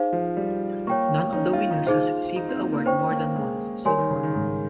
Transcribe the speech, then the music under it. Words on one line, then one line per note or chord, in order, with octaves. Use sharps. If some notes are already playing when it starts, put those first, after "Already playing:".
None of the winners has received the award more than once, so far.
Already playing: D#4 G#4 C5 F5
F3
G3
A#3 C#5 G5 C#6
D#4
C#4
F4
D#4
D#4 F4 G#4 C5
D#4
C4
A#3
A#3
C#4 C5 G5 C#6
C#4
A#3
G#3
G3 A#4 C#5 G#5 C6
D#3
C#3
D#3
G#2